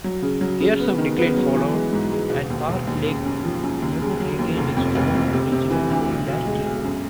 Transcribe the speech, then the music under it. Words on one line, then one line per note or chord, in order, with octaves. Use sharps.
Years of decline followed and Park Lake never regained its former regional popularity.
F#3
C#3
F#3
C#3
B3
D#3
B3
F#3
E3
G#3
G#2
G#3
E1
D#2
E1
D#2
C#3
F#2
F3
F#2
D#2
C#3
F#3
D#2
F1
F2
F1
F2
C3
C3
E3
D2
B1
B1
G#3
B1
F#2